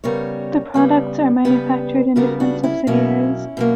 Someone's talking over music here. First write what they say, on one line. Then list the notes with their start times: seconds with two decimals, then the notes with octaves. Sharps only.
The products are manufactured in different subsidiaries.
0.04 C#3 G3 B3 A#4 C#5
0.74 C#3 G3 B3
1.45 C#3 G3 B3 G4 B4
2.16 C#3 G3 B3 F#4 A#4
2.40 D4 F#4
2.63 C#4 E4
2.87 B2 F#3 A#3 C#4 E4
3.57 B2 F#3 A#3